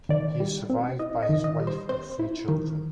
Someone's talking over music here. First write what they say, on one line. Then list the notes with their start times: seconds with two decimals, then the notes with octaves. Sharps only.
He is survived by his wife and three children.
0.09 D#3 D5
0.40 G3
0.70 C4
0.99 E4 D#5
1.22 D#5
1.29 D#3
1.44 D#5
1.59 G3
1.67 C5
1.89 C4 C5
2.19 E4
2.48 D#3